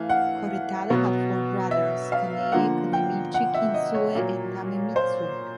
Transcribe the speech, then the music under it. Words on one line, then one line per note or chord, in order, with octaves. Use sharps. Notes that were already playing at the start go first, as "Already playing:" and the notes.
Koretada had four brothers: Kaneie, Kanemichi, Kinsue, and Tamemitsu.
Already playing: E3 A3 F5
F#5
B2 F#3 B3
E5
F5
D3 F3 A#3 F#5
G5
F#5
E5
D#5
C#5
A#2 F#3 A#3
C5